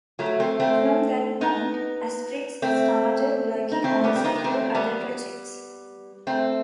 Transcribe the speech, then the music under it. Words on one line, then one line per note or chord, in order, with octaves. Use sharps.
From that point, Astrix started working on several other projects.
F#3 A3
A3 C4
A3 C4
B3 D#4
A3 C4
D#4
A3 C4
G3 B3
C4
B3 D#4
B3
A3 C4
G3 B3
A3 C4